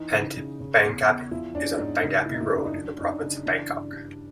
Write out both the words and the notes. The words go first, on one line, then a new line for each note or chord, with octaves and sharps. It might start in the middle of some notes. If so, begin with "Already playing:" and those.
Pantip Bangkapi is on Bangkapi Road in the province of Bangkok.
Already playing: E3 D#4
C#3
C#3
C#3
E2
E2
F3 E4
C#4 D4
G#2 D#4
C#3 D#4
A#3 E4
D#4
E4
F#2 D#4
D4
D#4
F#3 D4
C#4 D#4
D4
C#3
E3 D4
G2
G2